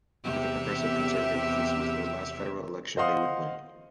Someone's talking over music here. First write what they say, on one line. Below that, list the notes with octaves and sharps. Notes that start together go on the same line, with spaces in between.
For the Progressive Conservatives, this was the last federal election they would win.
E2 C3 G4 E5
C5 D#5 F5 F#5 C6 D#6